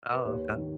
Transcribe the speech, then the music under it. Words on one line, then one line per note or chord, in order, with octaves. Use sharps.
Oh, okay.
B4
D#2 C#5
D#3